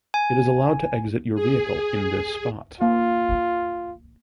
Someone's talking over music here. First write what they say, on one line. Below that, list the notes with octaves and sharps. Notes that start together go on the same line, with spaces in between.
It is allowed to exit your vehicle in this spot.
G#5
G#4
A#3 F4 F5